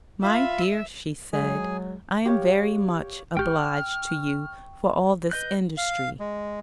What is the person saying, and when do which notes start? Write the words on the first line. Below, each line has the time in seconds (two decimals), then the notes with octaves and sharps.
'My dear,' she said, 'I am very much obliged to you for all this industry.
0.23 F4 E5 F5 B5
1.33 F#3 G#3 G#4 G#5
2.25 G4 C#5 F5
3.37 G#1 G4 G5 C#6 F6 G6
5.31 B4 D#5 F#6 G6
5.78 F5
6.20 G#3